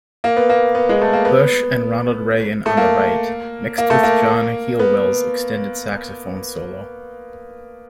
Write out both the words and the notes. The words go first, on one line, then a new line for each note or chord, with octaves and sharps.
Bush and Ronald Reagan on the right, mixed with John Helliwell's extended saxophone solo.
A#3
B3
A#3
B3
G#3
A3
A#3
B3
A3
A#3
A#3
A3
A#3
B3